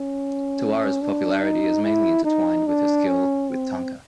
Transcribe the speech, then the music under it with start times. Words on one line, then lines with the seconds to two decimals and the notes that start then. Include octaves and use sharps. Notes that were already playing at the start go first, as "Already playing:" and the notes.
Tawara's popularity is mainly intertwined with her skill with tanka.
Already playing: C#4
1.02 D4
1.43 D#4
1.84 E4
2.25 D#4
2.67 D4
3.07 C#4
3.49 C4